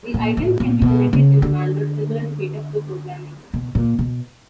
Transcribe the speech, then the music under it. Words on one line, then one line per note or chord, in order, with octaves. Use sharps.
The items can be connected in a manner similar to dataflow programming.
A#2
A2
A#2
B2
C#3
D3
B2
A#2
B2